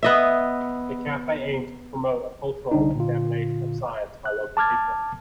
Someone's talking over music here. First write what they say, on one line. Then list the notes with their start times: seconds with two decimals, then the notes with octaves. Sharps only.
The Cafes aim to promote a cultural examination of science by local people.
0.03 B3 D#5 E5
2.71 C2 D3 D4 D#4
2.95 A#2 D3 F4
4.25 F#6
4.57 A5 D6 F6 G#6 A6